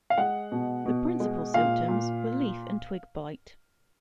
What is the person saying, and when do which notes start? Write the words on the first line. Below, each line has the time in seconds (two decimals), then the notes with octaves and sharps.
The principal symptoms were leaf and twig blight.
0.10 F5
0.18 G#3 F#5
0.52 B2
0.86 B2
1.20 G#3
1.54 A#2 F5
1.88 A#2